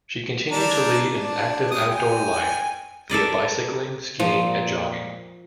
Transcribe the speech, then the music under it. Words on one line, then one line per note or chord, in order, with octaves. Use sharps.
She continued to lead an active outdoor life via bicycling, skiing, and jogging.
G3 D4 A#5
D4
G#3 D#6
G5 G#5
A4 A#4 D5 D#5
A#2 F3